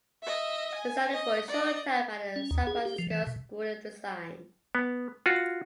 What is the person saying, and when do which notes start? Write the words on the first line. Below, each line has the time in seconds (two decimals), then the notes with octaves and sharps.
He studied for a short time at the San Francisco School of Design.
0.23 D#5 E5
0.75 G#5
1.13 D#5
1.48 D5 D#5
2.36 C#4
2.51 D#2
2.67 G#4
2.85 G4
2.99 F3
3.11 E3
3.27 B2
4.75 B3
5.26 F4 F#4